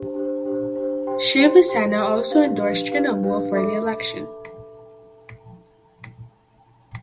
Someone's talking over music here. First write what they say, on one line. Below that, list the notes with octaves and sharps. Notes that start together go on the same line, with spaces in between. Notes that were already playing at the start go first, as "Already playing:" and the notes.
Shiv Sena also endorsed Trinamool for the election.
Already playing: D4 G4 C5
D4 G4 C5
D4 G4 C5
D4 G4 C5
G4 C5 G5 C6
G4 C5 G5 C6
G4 C5 G5 C6
G4 C5 G5 C6
D4 G4 B4 F5
D4 G4 B4 F5
D4 G4 B4 F5
D4 G4 B4 F5
A4 E5 B5 D6